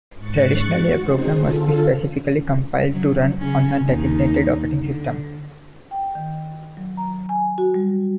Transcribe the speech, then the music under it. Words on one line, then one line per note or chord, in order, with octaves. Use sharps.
Traditionally, a program must be specifically compiled to run on a designated operating system.
G#2 C#6 F#6 A6 C#7
F#4
C4 C#4 D#4 G#4 C5
D3 F4 A4
F#3
C#3 C#4
D#2 D#4
D3
G5
D#3
F#3
A#5
G#5
F#4
G3